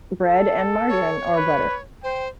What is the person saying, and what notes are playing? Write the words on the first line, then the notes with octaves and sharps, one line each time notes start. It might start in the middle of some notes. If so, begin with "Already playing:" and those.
bread and margarine or butter.
A4
C#5
B4
C5 G5